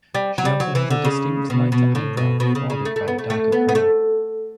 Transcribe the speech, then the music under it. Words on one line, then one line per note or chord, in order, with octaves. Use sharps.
She also has a distinct light eyebrow bordered by a darker crown.
G3
F#3
G3
F#3
E3
D3
C#3
B2
B2
A2
B2
B2
C#3
C#3
A3
A3
B3
A3
A3
B3
B3
A3